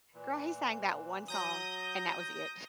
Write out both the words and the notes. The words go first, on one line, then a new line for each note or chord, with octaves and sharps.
Girl, he sang that one song, and that was it.
A#2 E3
F#3 D#6 G6 A#6